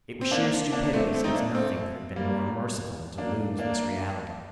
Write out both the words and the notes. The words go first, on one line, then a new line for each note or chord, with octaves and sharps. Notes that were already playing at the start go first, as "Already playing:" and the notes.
It was sheer stupidity, since nothing could have been more merciful than to lose this reality.
C4
A#3 D4
A#3 D4
D4
A3 C4
A3 C4
C4 D#4
A#3 D4
A3 C4
G3 A#3
A#3 D4
A#3 D4